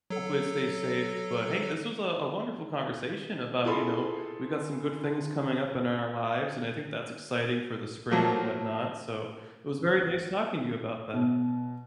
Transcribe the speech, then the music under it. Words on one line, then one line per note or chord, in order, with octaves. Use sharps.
hopefully it stays safe, but hey, this was a a wonderful conversation about, you know, we got some good things coming up in our lives, and I think that's exciting for the spring and whatnot, so it was very nice talking to you about that.
F#3 A4
E4 F4 G#4 A4 B5 C6
F3 F#3 A3 A#3
B2